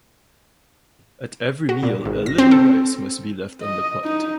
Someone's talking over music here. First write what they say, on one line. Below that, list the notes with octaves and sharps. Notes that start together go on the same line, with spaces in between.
At every meal a little rice must be left in the pot.
F#4
A#2
G#1
A#6
C4
A4
D#5
D#4